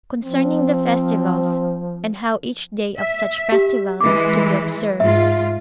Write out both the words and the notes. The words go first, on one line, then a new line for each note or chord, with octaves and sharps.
Concerning The Festivals; And How Each Day Of Such Festival Is To Be Observed.
F3 C4
E5
G4
E3 G#3 D6
G#2 F4 E5